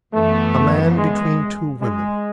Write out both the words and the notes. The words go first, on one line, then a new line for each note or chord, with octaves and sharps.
A man between two women.
F#2 E3 A3 B3
G#3
G#3